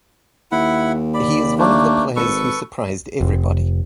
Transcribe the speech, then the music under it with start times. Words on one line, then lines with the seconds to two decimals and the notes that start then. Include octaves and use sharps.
He is one of the players who surprised everybody.
0.52 D#2 E4 F#5 B5
1.14 D5 B5
1.58 A3 A#3 D4
2.16 G#1 A4 B4 C#6
3.21 F1